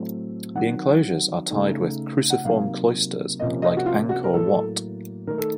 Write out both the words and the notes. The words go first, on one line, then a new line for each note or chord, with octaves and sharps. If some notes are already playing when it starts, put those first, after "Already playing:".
The enclosures are tied with "cruciform cloisters", like Angkor Wat.
Already playing: A2 F#3 A3 C4
D#3 F#3 C4 F#5
C#3 A3 D#4
F#5
C3 F#3 A#3 D#4 F5
C3 F3 A#3 C#4 D#5
D#5
F#4
F4
F#4
A#4
A2 F#3 A#3 A4
D#3 A3 D#4 A#4
A4